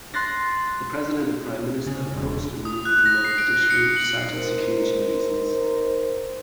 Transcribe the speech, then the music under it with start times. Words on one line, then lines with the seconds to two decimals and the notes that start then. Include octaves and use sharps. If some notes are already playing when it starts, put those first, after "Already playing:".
The President and Prime Minister opposed a move to Mogadishu, citing security reasons.
0.14 C6 F#6 A6 A#6
1.86 C#3
2.14 E1
2.65 D#6
2.85 F#6
3.06 A#6
3.25 C7
3.38 D7
3.70 C#7
3.97 F#7
4.33 D#4 A#4 C5